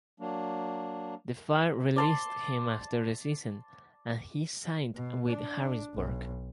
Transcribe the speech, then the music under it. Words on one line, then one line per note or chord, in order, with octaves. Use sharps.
The Fire released him after the season, and he signed with Harrisburg.
F#3 A#3 D4
D5 A5 C6
B2
D4
B1